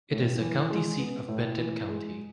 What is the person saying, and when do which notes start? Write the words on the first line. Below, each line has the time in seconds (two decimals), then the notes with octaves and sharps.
It is the county seat of Benton County.
0.11 A2
0.40 E3
0.70 G#3
0.99 B3
1.28 A2
1.58 E3
1.88 G#3